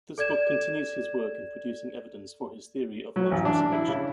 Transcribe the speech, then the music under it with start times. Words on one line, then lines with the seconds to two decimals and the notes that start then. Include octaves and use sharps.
This book continues his work in producing evidence for his theory of natural selection.
0.18 A4 D5 G#6 E7
3.16 F#3
3.31 A1
3.45 D4
3.72 E4
3.88 C#3